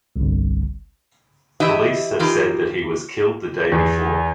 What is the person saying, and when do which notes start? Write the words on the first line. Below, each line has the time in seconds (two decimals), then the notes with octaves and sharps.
Police have said that he was killed the day before.
0.16 G1 C2
1.60 E3 E4 G4 D#5 E5
2.19 E3 D#4 F4 G4 A#4
3.72 E2